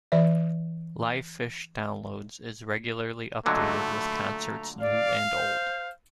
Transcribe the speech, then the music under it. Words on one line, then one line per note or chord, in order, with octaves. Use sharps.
LivePhish Downloads is regularly updated with concerts new and old.
E3 D5 E5
A#2 D3 F#3 A3 D#5
B5
A#5
D5 F5
C5